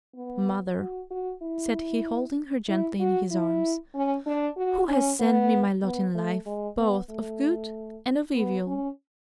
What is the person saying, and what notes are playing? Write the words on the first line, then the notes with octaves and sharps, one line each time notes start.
'Mother!' said he, holding her gently in his arms, 'who has sent me my lot in life, both of good and of evil?'
B3
F#4
F#4
E4
E4
F#4
E4
C#4
D4
F#4
C#4
B3
B3
A3
G#3
B3
A3
B3
C#4